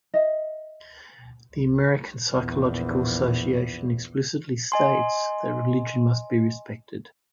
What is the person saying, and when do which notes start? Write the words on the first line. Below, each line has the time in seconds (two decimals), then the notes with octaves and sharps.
The American Psychological Association explicitly states that religion must be respected.
0.14 D#5 E5
2.32 A#1 E2
4.72 D#5 G#5 C6